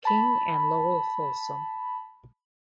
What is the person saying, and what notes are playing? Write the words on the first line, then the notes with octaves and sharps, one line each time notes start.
King and Lowell Fulsom.
A5 B5